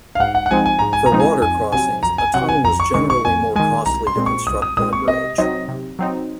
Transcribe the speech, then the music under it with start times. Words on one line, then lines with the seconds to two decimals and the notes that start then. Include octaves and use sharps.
For water crossings, a tunnel is generally more costly to construct than a bridge.
0.15 F5
0.20 G#2 F#5
0.35 F#5
0.46 F#5
0.51 F3 G#3 C4 D#4 G#5
0.66 G#5
0.79 G#2 A#5
0.93 G#5
1.06 A#5
1.12 F3 G#3 C4 D#4
1.20 G#5
1.42 F2 G#5
1.72 C3 F#3 C4 G#5
2.03 F2 A#5
2.18 G#5
2.34 C3 F#3 C4 F#5
2.49 G#5
2.63 F2 A#5
2.80 C#6
2.94 D#3 G#3 C#6
3.10 C#6
3.25 F2 G#5
3.56 D#3 G#3 G#5
3.86 C2 A#5
4.07 C6
4.16 A#2 G#3 C4
4.26 C#6
4.47 C2 D#6
4.62 D#6
4.77 A#2 G#3 C4 D#6
4.93 C#6
5.08 C3 D#5
5.38 F#3 C4 D#4 D#5
5.68 C3
5.99 F#3 C4 D#4